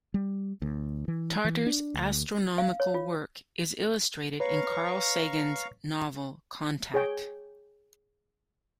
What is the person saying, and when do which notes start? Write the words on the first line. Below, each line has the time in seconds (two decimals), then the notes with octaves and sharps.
Tarter's astronomical work is illustrated in Carl Sagan's novel "Contact".
0.14 G3
0.62 D2
1.08 E3
1.45 E3
1.66 D4
1.94 D2
2.58 F5
2.80 C#5
2.94 F4
4.40 B4 C#5 F5 A#5 C#6
6.94 G#4 C#5 G5